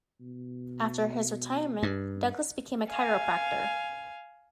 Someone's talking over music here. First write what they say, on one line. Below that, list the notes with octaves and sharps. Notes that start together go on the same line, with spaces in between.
After his retirement, Douglas became a chiropractor.
B2
G2
F5 G#5